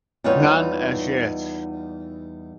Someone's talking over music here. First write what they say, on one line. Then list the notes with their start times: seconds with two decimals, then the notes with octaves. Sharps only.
None as yet.
0.24 E2 G3 D#4 F4 B4 C#5